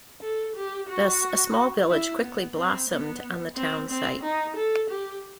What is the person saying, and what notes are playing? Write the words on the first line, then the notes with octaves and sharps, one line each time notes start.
Thus a small village quickly blossomed on the town site.
A4
G4
F#4
E4
B3
C4
B3
C4
C4
D#4
A4
G4